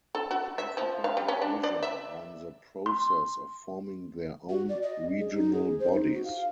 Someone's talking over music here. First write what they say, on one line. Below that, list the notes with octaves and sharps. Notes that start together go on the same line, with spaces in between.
Africa and Asia are in the process of forming their own Regional bodies.
A4
F#4
E5
F3
F5
G3
C#4
D4
D5
E5
C6
F#4
D5
D#5
G#4
D#4
G#4
C5
D#4
F#4
F5